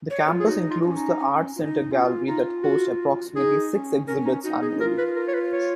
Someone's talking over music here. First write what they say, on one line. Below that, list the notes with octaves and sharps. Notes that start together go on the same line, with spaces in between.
The campus includes the Art Center Gallery that hosts approximately six exhibits annually.
C#5
F4
G#4
D#4 F#4
F4
D#4
C#4
D#4
C#4
F4
D#4
C#4 F4
D#4 F4
F#4
D#4 G#4
D#4
C#4
C#4 A#4
D#4
D#4 F#4
G#4
F4 A#4
B4
A#4
C#5
B4
C#5